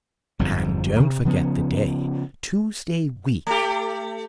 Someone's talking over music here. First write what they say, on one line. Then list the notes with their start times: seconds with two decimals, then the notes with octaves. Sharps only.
And don't forget the day, Tuesday week.
0.39 G1 F2 G#2 F3
1.00 C3
1.25 C#3 F3 B3 C#4
3.47 A3 G4